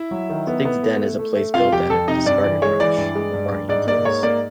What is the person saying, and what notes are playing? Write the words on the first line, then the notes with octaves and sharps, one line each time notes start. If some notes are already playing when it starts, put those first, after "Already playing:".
Stig's den is a place built out of discarded rubbish, that Barney enjoys.
Already playing: E4 E5
F#3
D#3
B3
B3
A3
A3
A3
A3
C3 F4 F5
F2 G4 G5
F2 A4 A5
C3 D#4 D#5
G2 D5
E3 D5
G#3 C#5
E3 D5
G2
G#3
G2
G2
G#2 D5
A#3 D5
G#2 C#5
A#3 D5